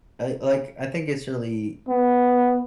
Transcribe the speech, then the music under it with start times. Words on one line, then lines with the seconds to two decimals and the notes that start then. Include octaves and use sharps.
I, like I think it's really
1.88 B3